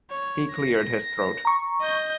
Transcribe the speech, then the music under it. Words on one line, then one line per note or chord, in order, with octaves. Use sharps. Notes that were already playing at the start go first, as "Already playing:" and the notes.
He cleared his throat.
C#5
A#6
A#5 C#6
D#5 G6